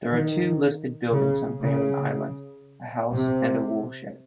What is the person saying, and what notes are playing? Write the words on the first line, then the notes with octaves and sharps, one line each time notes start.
There are two listed buildings on Barren Island, a house and a woolshed.
D#3
C#3
C#3
C3